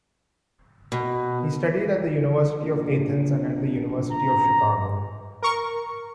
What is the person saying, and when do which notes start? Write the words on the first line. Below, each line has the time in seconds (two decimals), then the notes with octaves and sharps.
He studied at the University of Athens and at the University of Chicago.
0.92 B2
2.62 A#1
4.10 A#5
5.42 A#4 C#6